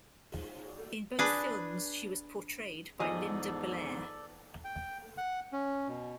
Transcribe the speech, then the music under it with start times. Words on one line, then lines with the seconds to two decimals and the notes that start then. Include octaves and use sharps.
In both films, she was portrayed by Linda Blair.
1.19 D4 G#4 B4
3.00 E2 G#2 F3 G#4 A4 D5 D#5
4.65 G5
5.18 F#5
5.52 C#4
5.88 B2